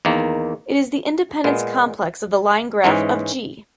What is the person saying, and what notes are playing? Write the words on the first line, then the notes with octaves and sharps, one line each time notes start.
It is the independence complex of the line graph of "G".
E2 D#3 A#3
A#2 G#3 B3
G#2 E3 G#3 C#4